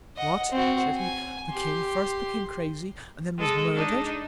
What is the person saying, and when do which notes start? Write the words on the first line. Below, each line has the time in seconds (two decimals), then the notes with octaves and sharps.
What, said he, the King first became crazy, and then was murder'd.
0.17 D#5 F#5
0.51 C4 F#4
0.97 G#5
1.51 G4 C6
3.38 G#3 G#4 A4
3.74 D4 D#4